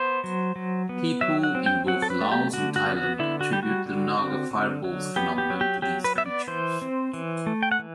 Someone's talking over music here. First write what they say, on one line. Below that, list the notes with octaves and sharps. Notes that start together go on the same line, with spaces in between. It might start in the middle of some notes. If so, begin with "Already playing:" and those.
People in both Laos and Thailand attribute the naga fireballs phenomenon to these creatures.
Already playing: B3 C5
F#3
F#3
B3
F#3 E5
F#5
C4
G5
F#3 F#5
A4
B4
A3
G4
D3 F#4
F#4
B3
F#4
D3 E4
F#4
G3 G4
F#4
D3
C4
D3
F#3
B3 G4
G4
F#3
G4
F#3 G4
B4
B3 E5
D5
E3 C5
C4
E3
A3
G5
F#5
E3